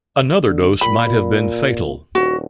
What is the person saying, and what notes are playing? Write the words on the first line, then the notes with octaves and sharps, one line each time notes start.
Another dose might have been fatal.
D3
A#2 B5
D#1 F#4